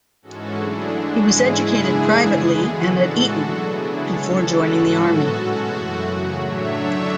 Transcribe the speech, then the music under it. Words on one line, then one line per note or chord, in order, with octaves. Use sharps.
He was educated privately and at Eton before joining the army.
G#2 E3 G#3 C#4 F#4 A4
D3 F#3 A3 D4 E4 G#4
D3 G#3 D4 F#4
G#2 E3 G#3 C#4 E4 G#4
F#2 C#3 G#3 B3 D4
C#3 E3 B3 D4
D3 G#3 C#4 G#4 B4
C#3 E3 B3 F#4 A4
A2 E3 G#3 D4
B2 F#3 A3
C#3 F#3 B3 D4 E4 G#4
D3 G#3 C#4 A4 C#5
C#3 G#3 B3 F#4 A4
G#2 E3 A3 C#4 F#4 A4
A2 F#3 B3
B2 G#3 C#4
F#2 E3 A3 F#4
F#2 C#3 F#3 F#4
A2 F#3 A3 D4 C#5 E5
D3 F#3 A3 D4 C#5 E5